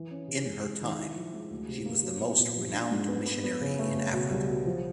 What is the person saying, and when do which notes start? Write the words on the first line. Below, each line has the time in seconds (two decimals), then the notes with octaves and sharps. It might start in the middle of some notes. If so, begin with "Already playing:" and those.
In her time "she was the most renowned missionary in Africa".
Already playing: E3
0.11 C#4
0.28 C3
0.46 G#3
0.63 G#3
0.81 D#3
0.99 E4
1.16 F3
1.34 G#3
1.51 D2
1.69 C3
1.86 A#3
2.03 F#3
2.21 B3
2.39 A#2
2.56 F3
2.73 D4
2.91 G#2
3.09 B3
3.26 B3
3.44 B3
3.61 C#3
3.79 A3
3.96 C#3
4.13 B2
4.31 C2
4.48 B2
4.66 F3